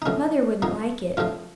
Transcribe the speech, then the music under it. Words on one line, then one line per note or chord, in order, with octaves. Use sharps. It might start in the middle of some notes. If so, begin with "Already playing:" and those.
"Mother wouldn't like it."
D#4
A#1 A2 F3 C#4
A#1 A#2 F3 D#4
A#1 A2 F3 F4